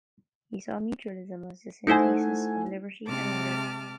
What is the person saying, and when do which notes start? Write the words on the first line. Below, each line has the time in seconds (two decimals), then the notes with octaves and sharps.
He saw mutualism as the synthesis of liberty and order.
1.87 A3 D#4 E4 C5 F#5 G#5
3.08 C3 G#3 A5 D6 F6